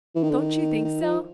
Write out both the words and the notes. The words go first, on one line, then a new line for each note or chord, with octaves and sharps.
Don't you think so?
E3
D#3
D3
D#3
D#3
F3